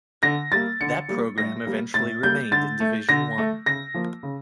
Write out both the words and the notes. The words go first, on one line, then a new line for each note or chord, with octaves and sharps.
That program eventually remained in Division One.
D3 A#6
G3 A#3 A6
D3 C#7
G3 A#3
A2 A#6
G3 A#3
A2 A6
G3 A#3 G6
D3 A6
A3
D3 A#6
A3
C#3 A#6
F3 A#3
C#3